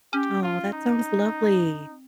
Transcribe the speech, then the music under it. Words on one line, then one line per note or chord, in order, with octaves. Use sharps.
Aw, that sounds lovely,
C#4 G4
F4
D#4
C4